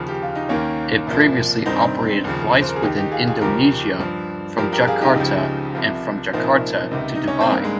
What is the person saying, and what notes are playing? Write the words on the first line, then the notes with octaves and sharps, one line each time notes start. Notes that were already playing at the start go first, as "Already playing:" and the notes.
It previously operated flights within Indonesia from Jakarta and from Jakarta to Dubai.
Already playing: D#2 C#3 F3
G4
F4
D#4
D#2 D#3 A#3 C#4
C2 A#2 F3
G2 D#3 C4 D#4
D#2 C#3 F3
C5
A#4
G#4
D#2 D#3 D#4 G4
D#4 G4
F4 G#4
F4 G#4
D#2 C#3 F3 G4 A#4
G2 F3
G2 F3 G4 A#4
G4 A#4
F4 G#4
D#4 G4
C#2 C#3 F3
C2 C3 F3
C2 A#2 F3 C4 D#4
C#2 C3 D#3
D#4
C#4
C4
G2 D#3 A#3
G#3